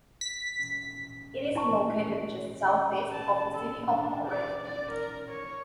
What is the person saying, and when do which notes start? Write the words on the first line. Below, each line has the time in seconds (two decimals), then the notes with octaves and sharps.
It is located just southeast of the city of Ohrid.
0.21 B6
1.55 E4 A5 A#5 C#6
3.11 A5
3.54 A4
3.86 D4
4.30 D5
4.62 D5
4.92 A#4
5.29 C#5